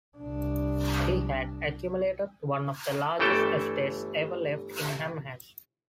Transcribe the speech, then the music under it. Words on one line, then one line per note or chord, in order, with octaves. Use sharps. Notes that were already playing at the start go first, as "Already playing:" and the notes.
He had accumulated one of the largest estates ever left in Amherst.
C2 D4
G1 E3 A3 A4 G5 A5